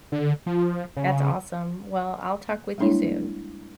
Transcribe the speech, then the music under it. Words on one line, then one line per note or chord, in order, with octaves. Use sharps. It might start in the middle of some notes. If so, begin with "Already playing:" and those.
That's awesome. Well, I'll talk with you soon.
D3
F3
C#3
G3 G#3 A#3 D4 E4 C#5